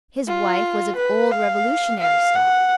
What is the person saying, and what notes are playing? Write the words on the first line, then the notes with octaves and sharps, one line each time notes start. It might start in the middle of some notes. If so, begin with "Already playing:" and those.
His wife was of old Revolutionary stock.
F4
B4
F5
F5
F#5